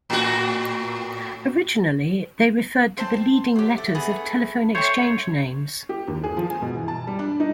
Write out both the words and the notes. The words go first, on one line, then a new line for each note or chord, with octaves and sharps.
Originally, they referred to the leading letters of telephone exchange names.
A2 F#4
C4 C5 A5
F#3 G4
A3
A3 B3 G#4
A3 C5 C#5 G5
G4
D#2
G#4
F3
G#5
B2
E3
A5
G3
D4
D#4